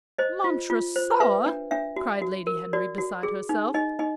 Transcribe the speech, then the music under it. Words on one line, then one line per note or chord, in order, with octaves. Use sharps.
"Montresor!" cried Lady Henry, beside herself.
C5 D#5
F4
F4
C5
B4 E5
D4
D4 E5
F#4
F#4
A#4
F#4 D5
F#4
G#4
D#4
D#4 D#5
D#4 D#5